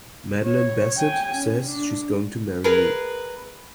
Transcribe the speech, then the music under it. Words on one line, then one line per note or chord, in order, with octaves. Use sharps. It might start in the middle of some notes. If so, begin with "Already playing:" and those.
Madeline Bassett says she's going to marry me!
C#5
G5 G#5
C#4
D4
G#4 A#4 B4